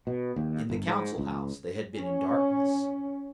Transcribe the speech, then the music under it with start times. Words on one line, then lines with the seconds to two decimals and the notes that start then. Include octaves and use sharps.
In the Council House they had been in darkness.
0.07 B2
0.36 D#2
0.70 G1
0.87 G#2
1.18 C#2
1.95 C#4